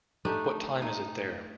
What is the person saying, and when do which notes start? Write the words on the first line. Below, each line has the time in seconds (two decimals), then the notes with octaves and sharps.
What Time Is It There?
0.25 A3 D4 D#4 G4
0.82 D#4